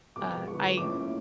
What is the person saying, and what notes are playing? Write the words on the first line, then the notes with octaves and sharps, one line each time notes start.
uh, I
B2 G#3 B3 D6
D3 F3 G#3 B3 C#6
A2 F3 A#3 C#4 E4 D6